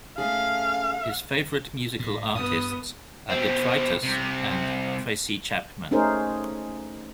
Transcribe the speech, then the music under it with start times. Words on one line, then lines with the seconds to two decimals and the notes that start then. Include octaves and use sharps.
His favorite musical artists are Detritus and Tracy Chapman.
0.18 A3 C#4 G#4 F5
2.00 A2
2.35 G2 B3 D#6
3.29 B2 C4
4.03 C2 C3
5.91 A3 C#4 D#4 G#4 A#4 C5